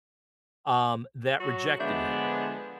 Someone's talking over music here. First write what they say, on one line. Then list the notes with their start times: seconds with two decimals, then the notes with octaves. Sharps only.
um, that rejected him
1.40 F#3 F#4
1.80 D3 F3 G#3 B3 D4 E5 G6